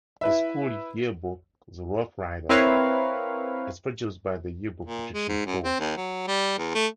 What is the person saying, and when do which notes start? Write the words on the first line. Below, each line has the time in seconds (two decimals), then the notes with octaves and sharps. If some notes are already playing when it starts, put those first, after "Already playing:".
The school yearbook, the "Rough Rider", is produced by the yearbook production course.
0.21 E4 B4 E5
2.49 C4 E4 A#4 B4 C#5 F5
4.85 A#2
5.14 G#3
5.28 G#2
5.46 F#2
5.64 C4
5.80 D#2
5.97 F#3
6.28 G3
6.58 E2
6.75 A3